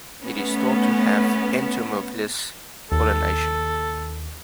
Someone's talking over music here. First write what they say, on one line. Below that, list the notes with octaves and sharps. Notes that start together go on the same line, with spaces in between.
It is thought to have had entomophilous pollination.
A3 B3 C#4
D#2 A4